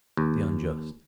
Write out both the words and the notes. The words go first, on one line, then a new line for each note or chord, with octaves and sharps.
The unjust?
D#2